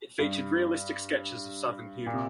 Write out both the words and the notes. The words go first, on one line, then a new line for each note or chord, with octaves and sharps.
It featured realistic sketches of Southern humor.
G2
A#2
C3